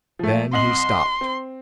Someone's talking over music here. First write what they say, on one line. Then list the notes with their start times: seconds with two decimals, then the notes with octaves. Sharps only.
Then he stopped.
0.19 F3 A3
0.53 C2 D#5 C6 F#7
1.21 C4